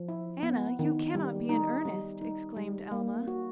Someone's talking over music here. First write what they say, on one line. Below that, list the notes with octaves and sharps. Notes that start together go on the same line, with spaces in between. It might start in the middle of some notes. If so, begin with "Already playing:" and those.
"Anna, you cannot be in earnest!" exclaimed Alma.
Already playing: F3
E4
B3
D#3
G3
D#4
G3
D#4
G3
A#3
F#4